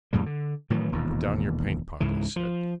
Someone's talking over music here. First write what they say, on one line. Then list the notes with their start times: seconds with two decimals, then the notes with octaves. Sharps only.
"Put down your paint pot," he said.
0.13 F2 A2 C#3 G3
0.26 D3
0.70 A2 D#3 E3 F#3
0.92 E1 D#2 A#2
2.00 C#2 G#2 C#3 E3
2.36 F3